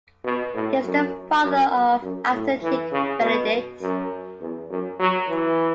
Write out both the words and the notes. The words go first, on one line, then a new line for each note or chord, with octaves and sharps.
He is the father of actor Nick Benedict.
B2
A2
F#2
F#2
F#2
A2
E3
C#3
B2
F#2
E2
F#2
F#3
E3